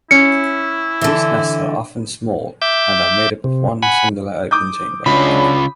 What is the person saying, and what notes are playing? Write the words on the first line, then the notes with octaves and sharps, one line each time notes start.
These nests are often small and are made up of one singular open chamber.
C#4 E4 C#7
D3 E3
E5 D6 G6
C3
F#5 G#5 B5
D6 D#6 G6
C#3 F#3 G#3 D4 F4 B5